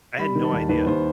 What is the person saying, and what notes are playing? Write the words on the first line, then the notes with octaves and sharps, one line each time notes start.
I had no idea.
G3 B5
D#3
A5
D#2
D#2 B4
D#2 C5